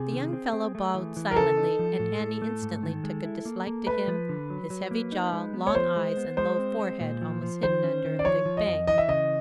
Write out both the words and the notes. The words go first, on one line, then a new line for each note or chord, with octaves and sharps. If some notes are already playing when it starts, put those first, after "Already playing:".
The young fellow bowed silently, and Annie instantly took a dislike to him, his heavy jaw, long eyes, and low forehead almost hidden under a thick bang.
Already playing: C3 G#4
D#3
C4
C4
A3
E3
E3
A#4
C#3 A4
D#4
F3
A2
A2
A3
G#2
D#3
G#3
E4
A#3
A#3
A3 B4
F3
D3
F#3
F#3
A#3
D#4
G#3
B3
C#5
F3 C5
G#3
B3
G#3 C5
C4
G#3
A#2
F3
F3
D#3 C5
C#4
D#3
D5
F3 C#5
F3
D#5
F2
E3 D#5
E5
C#3 D#5